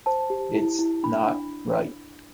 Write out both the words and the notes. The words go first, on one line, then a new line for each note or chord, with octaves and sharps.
It's not right.
C5 A5
G4
E4
E4
D4 B5
D4